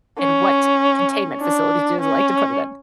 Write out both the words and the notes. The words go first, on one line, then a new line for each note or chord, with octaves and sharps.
and what containment facility do you like to put it in?
C#4
D4
C#4